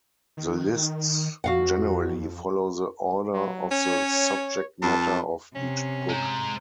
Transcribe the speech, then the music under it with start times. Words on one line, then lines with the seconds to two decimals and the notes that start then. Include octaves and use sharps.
The lists generally follow the order of the subject matter of each book.
0.37 D#3
1.44 F2 F#4 F5 F#5
3.34 F#3
3.71 C#4 C#5
4.82 F2 A5
5.55 C3 C#4
6.09 G#3 C5 A#5